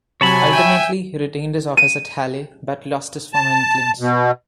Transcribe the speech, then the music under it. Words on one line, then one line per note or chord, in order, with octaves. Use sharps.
Ultimately, he retained his office at Halle, but lost his former influence.
C3 F#3 C#5 G#5 A5 B5
E5 G5 G#5
D#7
A5
B2